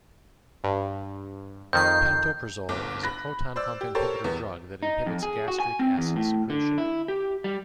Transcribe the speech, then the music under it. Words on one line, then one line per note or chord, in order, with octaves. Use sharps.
Pantoprazole is a proton pump inhibitor drug that inhibits gastric acid secretion.
G2
F2 D#3 G6 C7
G1 C2 D6
B5 F#6 A#6
C5 D5 E6
G4
G4 A4 A#4 C5 C#5
E2 B3
D#4
F2
G#4
F#4
G#5
C4
E2
A2
D3
E4
G4
G3